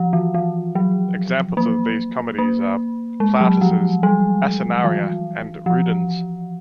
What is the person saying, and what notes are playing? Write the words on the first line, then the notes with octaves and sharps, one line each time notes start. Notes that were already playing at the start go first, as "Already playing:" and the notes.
Examples of these comedies are Plautus' "Asinaria" and "Rudens".
Already playing: F3
E3
E3
F#3
A#3
A#3
G#3
F#3
F3
G3
E3
F3